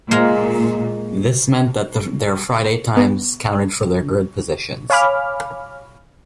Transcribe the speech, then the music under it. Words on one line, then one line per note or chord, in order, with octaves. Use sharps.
This meant that their Friday times counted for their grid positions.
A#2 G#3 F5 A#5
B3
C#5 F5 G#5 B5 D6 F6